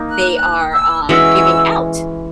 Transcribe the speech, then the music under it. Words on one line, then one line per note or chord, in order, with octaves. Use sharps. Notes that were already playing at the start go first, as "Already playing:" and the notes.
they are, um, giving out,
Already playing: A#3 D#4
F#6
F#6
E6
E3 G#3 C#4 F#4 E6